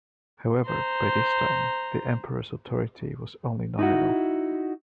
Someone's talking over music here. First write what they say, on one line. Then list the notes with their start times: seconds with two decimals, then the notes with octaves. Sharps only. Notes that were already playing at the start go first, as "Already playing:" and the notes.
However, by this time the emperor's authority was only nominal.
0.65 C5 A#5
3.79 D#4 E4 F#4